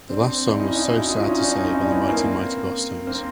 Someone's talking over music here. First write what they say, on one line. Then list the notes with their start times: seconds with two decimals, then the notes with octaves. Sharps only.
The last song was "So Sad to Say" by The Mighty Mighty Bosstones.
0.09 C4 D4
0.48 E4
0.59 C#4 D#4
0.75 D4 E4
0.93 E4 F#4
1.09 D#4 F4
1.25 C#4 D#4
1.42 C4 D4
1.58 C#4 D#4
1.75 D4 E4
1.91 B3 C#4
2.03 C#4
2.08 A#3 C4
3.07 A#3 C4